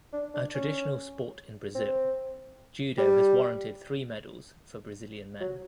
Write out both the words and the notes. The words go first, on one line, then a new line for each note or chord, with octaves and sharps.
A traditional sport in Brazil, Judo has warranted three medals, for Brazilian men.
D4
D4
C#4
C4
G3
F#3